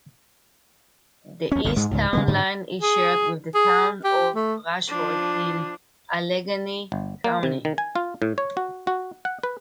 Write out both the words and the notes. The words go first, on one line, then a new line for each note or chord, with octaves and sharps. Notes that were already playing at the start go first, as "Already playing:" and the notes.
The east town line is shared with the town of Rushford in Allegany County.
D2 C#4
G1 D2 A#2
G#2 G#3
C#2 G#2
C#3 G3 B3
G#2 D3 D#3 G#3
G#4
G#4
G4
A3
F3 D4
G1
A#3
C3
D#3
G#5
F4
A2
C#5
F#4
F#4
F#5
B4